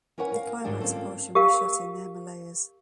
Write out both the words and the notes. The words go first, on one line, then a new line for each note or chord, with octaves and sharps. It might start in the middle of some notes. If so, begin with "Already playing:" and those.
The climax portion was shot in the Himalayas.
C#4 A#4 B4 C#5 F#5 G#5
A#4 F5
G#2 D#3 F#3 G3 D4 G#4
A#3 C4 C#4 F4 A4
G4 A#4 F5